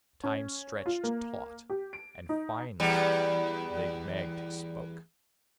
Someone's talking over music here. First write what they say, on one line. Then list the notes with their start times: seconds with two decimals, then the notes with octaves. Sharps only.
Time stretched taut, and finally Lig-magte spoke.
0.24 C#4
0.86 F4
1.04 A#3
1.70 G4
1.93 D7
2.29 D#4
2.80 E2 G3